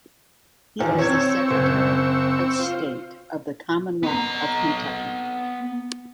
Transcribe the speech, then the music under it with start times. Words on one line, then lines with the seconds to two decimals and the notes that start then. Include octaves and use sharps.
He is the secretary of state of the Commonwealth of Kentucky.
0.79 E2 D#3
0.98 C4 C#5 C#6 E6 G#6
1.48 F#1 C5
2.59 F4 C5
4.03 B3 A#5